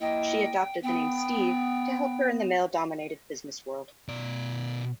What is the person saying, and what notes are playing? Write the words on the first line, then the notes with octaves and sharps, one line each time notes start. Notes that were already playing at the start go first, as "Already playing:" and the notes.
She adopted the name, "Steve", to help her in the male-dominated business world.
A#3 E4 D#5 G5
B3 G5
B2 D5